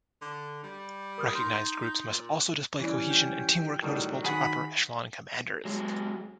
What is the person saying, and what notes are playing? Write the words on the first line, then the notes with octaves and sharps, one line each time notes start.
Recognized groups must also display cohesion and teamwork noticeable to upper echelon commanders.
D3
G3
A#4 D#6 F6
D#4 C6
A#2
E3 G3 C#4
G5
A2 D#3 F#3 G3
D#3 G#4 F#5 B5
F#3 G#3